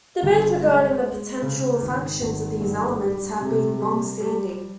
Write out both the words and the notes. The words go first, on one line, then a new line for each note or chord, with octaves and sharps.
Debates regarding the potential functions of these elements have been long standing.
G1
G#3
G#3
C#3
G#1
G#1
G2
G3
C3
G3
G3